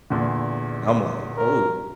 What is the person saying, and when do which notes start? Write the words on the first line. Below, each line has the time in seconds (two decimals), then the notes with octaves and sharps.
And I'm like, oh.
0.10 E2 A#2 D3
1.37 A#4